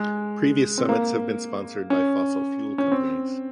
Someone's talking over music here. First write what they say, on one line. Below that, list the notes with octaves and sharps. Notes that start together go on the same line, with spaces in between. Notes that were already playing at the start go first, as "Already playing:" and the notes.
Previous summits have been sponsored by fossil fuel companies.
Already playing: G#3
C4
A#3
C#4
C#4
C4